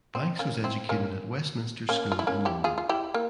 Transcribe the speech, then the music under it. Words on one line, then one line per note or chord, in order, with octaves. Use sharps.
Banks was educated at Westminster School in London.
C4
A#3 C#4
C4 E4
A#3 C#4
A#3 C#4
F4
E4
A#3 C#4
E4 G4
F4 G#4
F4
E4 G4
A#3